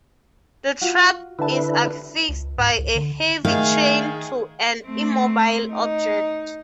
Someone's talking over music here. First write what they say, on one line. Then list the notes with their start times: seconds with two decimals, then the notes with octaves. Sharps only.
The trap is affixed by a heavy chain to an immobile object.
0.81 F4 F#4
1.39 D3 E4 G4 B4 A5
2.28 C#2
2.58 G#2
2.78 C#2
2.95 D3
3.45 D#3 A3 G#4 F5
4.86 A3 C4
5.72 D#4